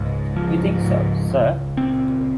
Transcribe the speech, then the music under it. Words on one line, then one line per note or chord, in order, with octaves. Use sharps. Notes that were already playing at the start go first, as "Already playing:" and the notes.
You think so, sir?
Already playing: C#2 G#2
F3
C#2
C#2
A#2 C4